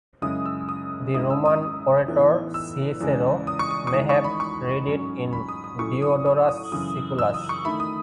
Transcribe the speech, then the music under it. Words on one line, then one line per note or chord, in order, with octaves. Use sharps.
The Roman orator Cicero may have read it in Diodorus Siculus.
F#2 C#3 G#3 C#4 E4 D#6
E6
D#6
G#2 D#3 G#3 C#4 E4 D#6
E6
D#6
A2 E3 B3 D#4
E6
E2 C#3 G#3
D#6
C#6
D#6
C#6
E2 D#3 G#3 D#4 D#6
C#6
B5
C#6
G#2 F#3 C#4
B5
D#6
D#6
A2 F#3 C#4 C#6
D#6
D#6
D#6
F#2 C#3 E3 D#6
E6
D#6
C#6
D#3 A3 E4 B5
D#6